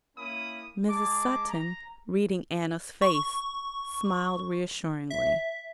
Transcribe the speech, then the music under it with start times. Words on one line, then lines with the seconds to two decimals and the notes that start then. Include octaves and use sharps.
Mrs. Sutton, reading Anna's face, smiled reassuringly.
0.17 A#3 C#4 E4 B5 D#6
0.88 G#3 A5 D6
1.49 A#5
3.02 C#6
5.10 E5